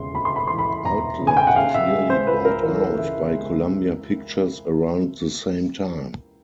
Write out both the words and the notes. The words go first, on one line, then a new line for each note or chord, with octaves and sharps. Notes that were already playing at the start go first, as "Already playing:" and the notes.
Outlet was nearly bought out by Columbia Pictures around the same time.
Already playing: E1 C#3 C6
D2 B5
C6
B5
E3 C6
B5
E1 A#5
C#3
G#5
G5
F#5
C#3 F5
E5
G#3
C5
C#2 B4
A#4
E3 A#4
A4
A#4
C#3 E5
G#3